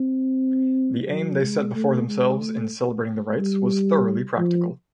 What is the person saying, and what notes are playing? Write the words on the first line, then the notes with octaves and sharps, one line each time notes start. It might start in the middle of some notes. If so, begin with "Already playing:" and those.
The aim they set before themselves in celebrating the rites was thoroughly practical.
Already playing: C4
F#3
G#3
A3
G#3
A3
G3
F3